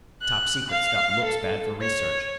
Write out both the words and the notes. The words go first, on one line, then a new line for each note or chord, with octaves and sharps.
The topsecret stuff looks bad for research.
F#6
F5
A4
C#5